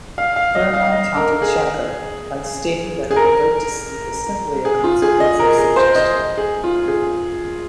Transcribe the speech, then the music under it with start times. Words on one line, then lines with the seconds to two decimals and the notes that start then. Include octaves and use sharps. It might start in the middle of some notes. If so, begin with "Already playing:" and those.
Bernheim countered Charcot, by stating that provoked sleep was simply a consequence of suggestion.
0.18 F5
0.36 F5
0.55 D#5
0.74 F5
0.92 D#5
1.17 A#4
1.42 G#4
3.11 G#4
3.16 A#4
4.65 G#4
4.84 F4
5.02 G#4
5.20 D#5
5.39 A#4
5.58 G#4
5.76 C5
5.95 D#5
6.38 G#4
6.64 F4
6.88 G#4